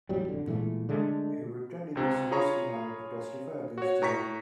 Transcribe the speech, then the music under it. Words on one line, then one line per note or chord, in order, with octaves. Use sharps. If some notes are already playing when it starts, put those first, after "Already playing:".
He returned in the series finale to testify against Jerry.
E2 A2 F#3 G3
F1 D3
A#2 E3 G#3 A3
D3 G#3 A3
C#2 C3
F4 G#4 C#5 A#5 B5 C#6
F#4 C#5
A2 A#5 C#6 B6